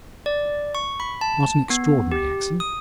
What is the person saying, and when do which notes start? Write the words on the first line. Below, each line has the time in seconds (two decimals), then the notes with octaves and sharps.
Not an extraordinary accident.
0.26 D5
0.75 C#6
1.00 B5
1.21 A5
1.70 B3
2.12 G4
2.60 D#6